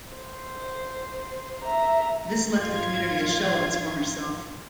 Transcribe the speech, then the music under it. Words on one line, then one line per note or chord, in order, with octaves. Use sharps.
This left the community a shell of its former self.
C5
E5 A#5
G#1 F3 F4 G#6